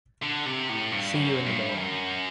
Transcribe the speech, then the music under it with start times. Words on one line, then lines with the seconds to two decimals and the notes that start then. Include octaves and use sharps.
See you in the morning.
0.23 D3
0.46 C3
0.70 A2
0.92 G2
1.15 F#2
1.46 G2
1.77 F#2